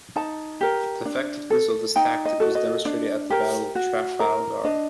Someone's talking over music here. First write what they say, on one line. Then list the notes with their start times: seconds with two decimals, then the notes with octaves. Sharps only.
The effectiveness of this tactic was demonstrated at the Battle of Trafalgar.
0.16 D#4 A5
0.61 G4 A#4
1.05 D4
1.50 A4
1.96 D#4 G5
2.25 D#5
2.40 F#4 A4
2.55 D#5
2.85 D4
3.30 G4 A#4
3.75 F#4
4.20 A#4
4.64 D4 D#5